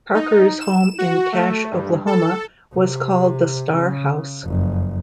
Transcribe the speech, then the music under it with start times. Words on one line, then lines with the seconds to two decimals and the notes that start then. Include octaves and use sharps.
Parker's home in Cache, Oklahoma was called the Star House.
0.15 D#4
0.60 E7
0.98 F#4
1.32 A3
1.72 G2
2.07 A4
2.74 C3
3.73 C#3
4.44 F#1 F2